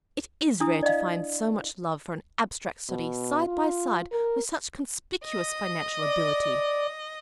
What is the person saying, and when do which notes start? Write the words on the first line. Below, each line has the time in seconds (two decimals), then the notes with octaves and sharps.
'It is rare to find so much love for an abstract study side by side with such conspicuous financial ability.'
0.60 D4 E4 D#6
0.83 D5 D#5 F5
2.89 B2
3.47 F4
4.12 A#4
5.25 D#5
6.00 D5